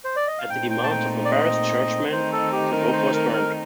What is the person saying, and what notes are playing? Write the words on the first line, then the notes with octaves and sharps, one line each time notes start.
At the demands of embarrassed churchmen, the book was burnt.
C5
D5
D#5
F5
A#2 A3 C4 D#4 G5
G5
A5
G5
D5
D#5
D#3 A3 C4 D#4 C5
A4
G4
A#4
C5
A#4
A#4